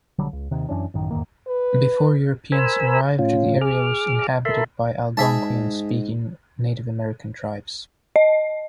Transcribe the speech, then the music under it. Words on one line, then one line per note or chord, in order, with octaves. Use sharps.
Before Europeans arrived, the area was inhabited by Algonquian-speaking Native American tribes.
B1 D3 F#3 G3
C#2
D#2 C3 D#3
F#2 E3 C#4 D4
A1 F#2 D#3
E2 G#2 D#3 A#3
B4
A#4 C5 G#5 B5 E6
A2 C#4 F4
G#4 D6 F6
A4 A#4 E5 A5 B5 C6
G#2 G#4 E5 A5
D#5